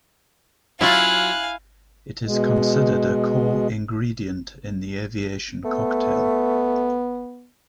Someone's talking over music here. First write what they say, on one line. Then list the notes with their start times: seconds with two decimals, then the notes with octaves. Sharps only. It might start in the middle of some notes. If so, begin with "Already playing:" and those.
It is considered a core ingredient in the Aviation cocktail.
0.81 F#3 E4 F4 E5 F5 G#5 F#6
2.25 B2 G#3
5.65 A3 B3